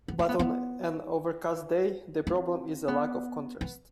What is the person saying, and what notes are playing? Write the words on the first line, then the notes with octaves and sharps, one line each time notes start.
But on an overcast day the problem is a lack of contrast.
B3
C4
B3
B3
C4
B3
B3